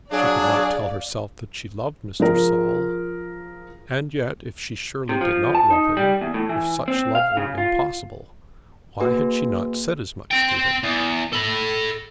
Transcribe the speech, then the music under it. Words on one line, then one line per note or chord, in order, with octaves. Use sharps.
She could not tell herself that she loved Mr. Saul; and yet if she surely did not love him--if such love were impossible--why had she not said as much to him?
F#3 D4 G#4 D5 F5
F3 G#4 A#4
C3
F3
A5
D#4
G3
E2
A2
E3
C4
F5
C#3
F4
A#3 F#4 G#4 B4
C4 G5
E2
A4 B5